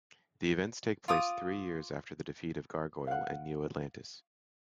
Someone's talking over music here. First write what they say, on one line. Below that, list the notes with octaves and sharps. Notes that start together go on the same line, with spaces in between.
The events take place three years after the defeat of Gargoyle and Neo-Atlantis.
F4 D6 D#6
F5 F#5